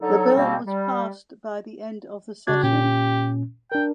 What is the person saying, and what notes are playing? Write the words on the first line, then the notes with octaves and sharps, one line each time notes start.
The Bill was passed by the end of the session.
D3 F#3 D#4 A4
G#2 B2 G3 A#3 C4
G3
C#3 D4 F#4 G#6
A#2 C#4 G4
D4 A#4 G5